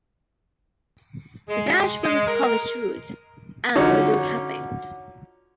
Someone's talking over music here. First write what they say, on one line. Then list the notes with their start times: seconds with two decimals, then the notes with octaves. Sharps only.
The dashboard was polished wood as were the door cappings.
1.49 G#3
2.04 G#3
2.27 A#4
3.76 D3 F3 F#3 C#4 D#4